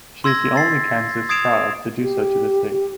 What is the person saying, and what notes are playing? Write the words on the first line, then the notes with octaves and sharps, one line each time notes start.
She is the only Kansas child to do so to this date.
C6 E6 G#6 A#6
A6 C7
D#6 G#6 C7 D7 E7 F7
G4